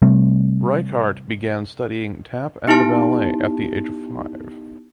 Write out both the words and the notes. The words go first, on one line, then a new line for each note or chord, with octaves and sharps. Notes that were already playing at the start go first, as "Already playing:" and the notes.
Richert began studying tap and ballet at the age of five.
C3 G3 A3 C4
B3 D#4 E4 G4 A5